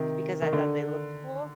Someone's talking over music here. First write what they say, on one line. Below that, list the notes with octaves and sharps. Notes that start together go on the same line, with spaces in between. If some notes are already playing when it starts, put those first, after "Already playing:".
just because I thought they looked cool.
Already playing: C3 D#3
D#3
D3